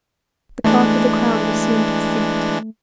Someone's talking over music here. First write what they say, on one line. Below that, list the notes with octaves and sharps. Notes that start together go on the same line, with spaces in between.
The Clerk of the Crown resumed his seat.
E3 G#3 A3 D4